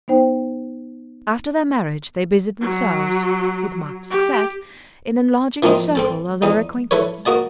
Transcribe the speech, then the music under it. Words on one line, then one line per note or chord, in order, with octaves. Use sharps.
After their marriage they busied themselves, with marked success, in enlarging the circle of their acquaintance.
B3 D#4 C5 G5
F#3
G4
E3 F3 A#3 C4 D#4
C4 A4 A5
E2 D#4
E4 A4 B4 C#5
A#3 F#4 D#5 A5